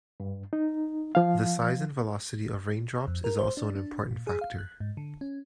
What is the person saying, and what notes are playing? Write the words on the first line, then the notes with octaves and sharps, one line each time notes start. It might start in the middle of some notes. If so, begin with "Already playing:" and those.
The size and velocity of rain drops is also an important factor.
G2
D#4
F3 F5
F2
A#4
C5
D4
D4
A#2
G#4
F5
F#6
G#2
D3
C#4